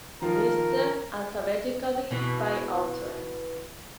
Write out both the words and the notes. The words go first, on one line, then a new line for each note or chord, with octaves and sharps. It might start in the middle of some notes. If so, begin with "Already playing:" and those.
Listed alphabetically by author.
D#3 F3 F4 A#4
B2 E3